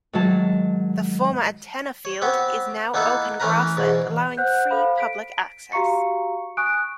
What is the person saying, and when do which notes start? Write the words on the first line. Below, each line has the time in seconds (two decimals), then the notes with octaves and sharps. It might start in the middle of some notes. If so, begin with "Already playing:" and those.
The former antenna field is now open grassland allowing free public access.
0.13 G#2 D#3 F#3 A5
2.05 C#5
2.22 B3 C4 G4 C#5
2.94 A#3 B3 D#4 E4 A4 B4
3.40 E3 A3 C#4 A#4 B4 A#5
3.77 E2 G#2 B2
4.37 C5 F#5 F#6 G6
4.71 A4 C5 F5 B5
4.98 B6 D7
5.72 F#4 G4 F5 A#5 C#6 C#7
6.57 G#5 C#6 D#6 F#6 D7